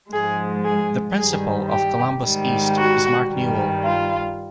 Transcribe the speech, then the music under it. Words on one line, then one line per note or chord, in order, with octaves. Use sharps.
The principal of Columbus East is Mark Newell.
G#2 F3 G#3 G#4
G#4
G2 D#3 G3 G#4
G4
G#2 D#3 G3
F#4
G2 D#3 G3
F4